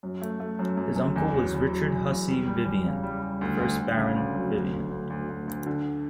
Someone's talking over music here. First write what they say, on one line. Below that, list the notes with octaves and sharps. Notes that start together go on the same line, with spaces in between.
His uncle was Richard Hussey Vivian, first baron Vivian.
F#2
A3
A3
F#2
F#2
F#2
E2
F#3
E2
F#3
E2
E2
G3
G3
E2
C#3
G3
G3
D2
D2
D2
C#3
D2
F#3
D2
D2
D2
D2
D2
D2
D3